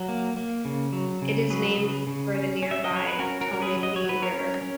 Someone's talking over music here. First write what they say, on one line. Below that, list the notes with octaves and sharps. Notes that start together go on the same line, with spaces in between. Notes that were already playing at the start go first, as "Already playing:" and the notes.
It is named for the nearby Tombigbee River.
Already playing: F#3
A#3
A#3
C#3
F#3
C#3
F#3 G#4 B4
C#3
C#3
C#4
C#4
E5
D#5
F#3
C#5
B4
C#4 F#4 A#4
F#4 A#4
C#4
A#4
G#4 B4
F#3
D#5
C#5
F#3 B4
A#4 C#5
C#4
C#4